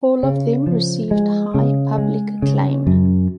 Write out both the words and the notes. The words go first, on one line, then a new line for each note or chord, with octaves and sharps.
All of them received high public acclaim.
C#3
F3
G#3
C#3
G#3
C#3
F#2